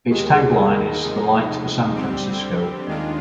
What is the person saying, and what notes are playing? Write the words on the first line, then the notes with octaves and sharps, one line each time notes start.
Its tag line is "The Light for San Francisco".
D#2 D#3 G#3 G4
G#4
A#4
A#4
C3 F3 G#3 D#4
D3 G3 C4 G4
D#2 D#3 G#3 D4 F4 D5